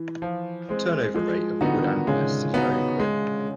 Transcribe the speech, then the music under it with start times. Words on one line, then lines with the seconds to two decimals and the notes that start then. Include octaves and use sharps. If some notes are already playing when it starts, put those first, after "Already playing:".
Turnover rate of wood ant nests is very quick.
Already playing: E3
0.22 F3
0.69 G#3 C4
1.14 F3 G#3
1.61 D3 B3 D#4 F#4
1.71 D#3
1.82 D3
2.07 C#3 G#3
2.54 B3 D#4 F#4
3.00 G#3